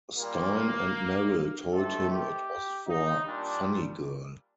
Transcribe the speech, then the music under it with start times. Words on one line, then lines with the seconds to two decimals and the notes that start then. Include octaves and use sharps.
Styne and Merrill told him it was for Funny Girl.
0.18 A#2 G3 A#3
1.72 C3 D#3 A3 A4
2.11 G4
2.87 D#4
3.26 A#2 G3 D4